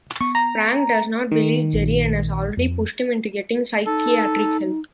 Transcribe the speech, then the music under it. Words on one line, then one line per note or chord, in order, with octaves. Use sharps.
Frank does not believe Jerry and has already pushed him into getting psychiatric help.
B3 C#6
A#5
D#3
A#1
F2
D#4 A4